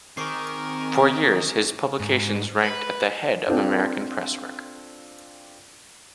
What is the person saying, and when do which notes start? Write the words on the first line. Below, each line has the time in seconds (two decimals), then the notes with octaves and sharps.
For years his publications ranked at the head of American presswork.
0.17 D#3 C4 G#4 A#4 C#6 D6 C7
2.00 G#2
2.64 B4
3.47 C4 D4 F4 A4 C5